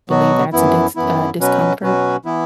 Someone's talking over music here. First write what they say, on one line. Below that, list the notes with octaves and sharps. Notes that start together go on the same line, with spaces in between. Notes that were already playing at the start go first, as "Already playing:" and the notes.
believe that's a dense uh, discomfort,
B2 F#3 B3 F#4
F#2 E3 B3 E4
F#2 E3 B3 E4
B2 F#3 C#4 F#4 B4
B2 F#3 C#4 F#4 B4
E3 B3 E4